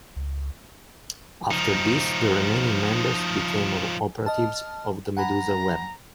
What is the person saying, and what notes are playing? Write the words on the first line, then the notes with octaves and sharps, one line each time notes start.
After this the remaining members became operatives of the Medusa Web.
C#2
F3 D#4
D#5 A5 F6
F#5 G#5 A#5 B5